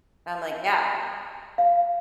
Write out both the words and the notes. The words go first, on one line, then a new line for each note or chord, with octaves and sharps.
I'm like, "Yeah."
F5